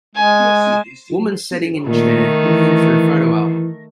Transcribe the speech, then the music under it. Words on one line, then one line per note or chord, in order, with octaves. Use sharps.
Woman setting in chair looking threw photo album.
G#3 G#5
A#2 D#3 A3
E3